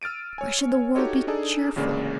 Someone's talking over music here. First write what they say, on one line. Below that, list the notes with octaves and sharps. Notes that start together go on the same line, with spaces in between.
Why should the world be cheerful?
E6 F6 A6 D7 D#7
C#5 G#5
D#4 F#4 G4 A4 C#5 D#5
D4 D#4 G#4 A4 D5
A1 D2 C#3 G#3 A#3 D5